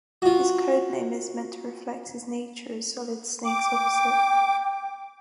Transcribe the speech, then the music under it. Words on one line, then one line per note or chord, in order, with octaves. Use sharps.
His codename is meant to reflect his nature as Solid Snake's opposite.
F4 F#4
G5 D6